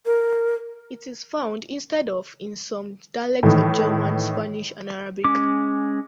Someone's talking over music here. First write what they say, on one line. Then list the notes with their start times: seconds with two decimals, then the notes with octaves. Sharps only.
It is found instead of in some dialects of German, Spanish and Arabic.
0.06 A#4
3.43 A2 D#3 E3 A3 D#4
5.24 G#3 C#4 D6